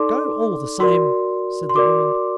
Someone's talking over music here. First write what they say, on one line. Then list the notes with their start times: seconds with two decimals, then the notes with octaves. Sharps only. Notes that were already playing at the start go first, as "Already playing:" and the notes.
"Go, all the same," said the woman.
Already playing: D#4 A4 D5 C6 D6
0.80 F#4 A#4 D5 C6
1.69 C6
1.75 F#4 A#4 D5 D6